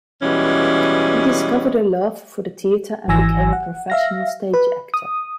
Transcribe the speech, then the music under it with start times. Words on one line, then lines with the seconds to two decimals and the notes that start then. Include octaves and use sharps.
He discovered a love for the theater and became a professional stage actor.
0.22 B2 E3 G3 G#3 C#4
3.08 G#1 E3 G#5 E6 A#6
3.53 F#5
3.90 E5 F5 A#6
4.54 B4
4.94 D#6